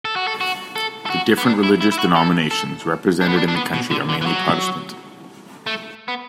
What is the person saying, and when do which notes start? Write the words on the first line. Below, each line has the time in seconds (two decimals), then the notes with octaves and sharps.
The different religious denominations represented in the county are mainly Protestant.
0.05 A4
0.16 F#4
0.27 A4
0.41 F#4
0.76 A4
1.06 A4
1.10 F#4
1.37 B3
1.46 D4
1.63 E4
1.81 E4
1.92 E4
1.99 F#4
2.16 A4
2.51 A4
3.21 D4
3.29 B3
3.37 D4
3.48 D4
3.56 B3
3.74 B2
3.91 D3
4.09 D3
4.22 E3
4.26 F#3
5.67 A3
6.08 B3